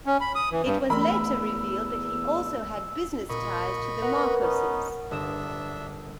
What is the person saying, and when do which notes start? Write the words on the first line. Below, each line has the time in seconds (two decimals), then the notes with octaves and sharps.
It was later revealed that he also had business ties to the Marcoses.
0.06 C#4
0.21 B5
0.35 D#6
0.51 E3
0.65 G2
0.90 E2 E3 A3 A#4 B5 E6
3.29 A#2 D#5 B5 C#6
4.02 A#4 B4 F#5
4.42 B3 C#4 D#4
5.11 G1 D4 E5 D#6 E7